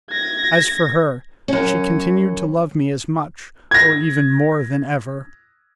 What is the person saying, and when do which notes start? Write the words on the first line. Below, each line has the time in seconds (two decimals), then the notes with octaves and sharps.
As for her, she continued to love me as much, or even more than ever.
0.12 G#6 A#6
1.48 F#2 C#4
3.71 G#6 A#6